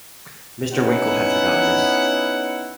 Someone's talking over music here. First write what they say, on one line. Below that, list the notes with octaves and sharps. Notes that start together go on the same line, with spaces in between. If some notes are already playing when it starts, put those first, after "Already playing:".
Mr. Winkle had forgotten this.
B3 C#4 D#4 E4 F#5